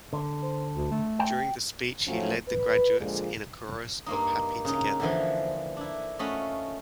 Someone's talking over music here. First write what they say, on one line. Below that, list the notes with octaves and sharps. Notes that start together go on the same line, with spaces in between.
During the speech he led the graduates in a chorus of "Happy Together".
D3
C5
D2
A3
G5
F3 F#3 A3 C#4
B4
A#2 D3 F3 G#3
G2 A#3 D#4
C#3 D#4
D3 E3 F3
D4 E4
A3 C#4 F4 D#5 F#5 B5